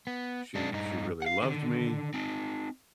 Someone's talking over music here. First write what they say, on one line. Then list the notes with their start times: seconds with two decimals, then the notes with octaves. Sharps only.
she she really loved me,
0.07 B3
0.55 G#3 D4
0.72 G2 D#4
1.22 F5 F#5
1.42 D3 D#3
2.14 C4 D#4